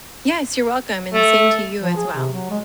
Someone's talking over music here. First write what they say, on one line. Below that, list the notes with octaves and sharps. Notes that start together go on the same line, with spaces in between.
Yes. You're welcome, and same to you as well.
A3
F3
G#4
C3
F#3
G#3